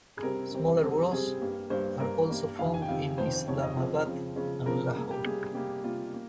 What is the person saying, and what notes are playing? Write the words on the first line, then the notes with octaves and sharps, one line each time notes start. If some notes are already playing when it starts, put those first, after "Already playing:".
Smaller bureaus are also found in Islamabad and Lahore.
G#4
C3 G3 C4 A#4
C3 G3 C4
C3 G3 C4 G#4
C3 G3 C4 G#4
G2 G3 A#3
G2 G3 A#3 C5
G2 G3 A#3 A#4
G2 G3 A#3
F2 C3 D#3 F5
G#5
G5
F2 C3 D#3 F5
F2 C3 D#3 C5
C5
F2 C3 D#3 C#5
D#5
C#3 F3 C4
C#3 F3 C4
C#3 F3 C4
C#3 F3 C4 A#4
C3 G3 A#3 G#4
G4
C3 G3 A#3 G#4
C3 G3 A#3 G4
C3 G3 A#3 F4
A#3